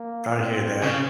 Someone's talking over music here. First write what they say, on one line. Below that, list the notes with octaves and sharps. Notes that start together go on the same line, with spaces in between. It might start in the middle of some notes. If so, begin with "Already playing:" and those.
I hear that.
Already playing: A#3
C4
C#3